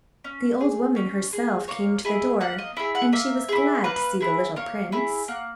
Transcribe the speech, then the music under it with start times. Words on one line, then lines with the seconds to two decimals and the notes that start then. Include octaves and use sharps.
The old woman, herself, came to the door, and she was glad to see the little prince.
0.24 C#4
0.61 G#4
0.96 C#4
1.33 G#4
1.68 A#3 C#5
2.05 E4 G#4 D#5
2.41 A#3 F#5
2.58 D#5
2.77 E4 G#4 E5
2.95 F#5
3.13 A#3 E5
3.49 E4 G#4
3.84 A#3 B4
4.21 E4 G#4
4.56 A#3 C#5
4.92 E4 G#4
5.28 A#3 F#5